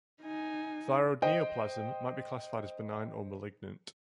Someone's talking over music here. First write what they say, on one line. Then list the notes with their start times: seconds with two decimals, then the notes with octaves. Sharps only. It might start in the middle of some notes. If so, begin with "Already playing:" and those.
Thyroid neoplasm might be classified as benign or malignant.
0.22 D#4 G#5
1.22 C5 D#5 G5